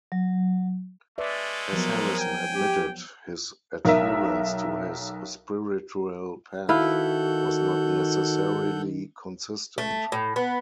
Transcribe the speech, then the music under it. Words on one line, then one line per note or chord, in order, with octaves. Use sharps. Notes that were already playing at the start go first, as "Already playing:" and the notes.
As Harrison admitted, his adherence to his spiritual path was not necessarily consistent.
F#3
G#3 A3 B4 D5 E5
F3 F#3 B3 A#4
G5 G#5
G4
B1 A#4 E5
D#3 E4 F#4 A4 B4 F5 F#5 G6
A3
A2
B3